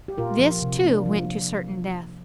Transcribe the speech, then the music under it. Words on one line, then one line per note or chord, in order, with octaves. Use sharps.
This, too, went to certain death.
G4
A#2 F4 A#4
F3 A#3
C3
A#3 D4
F3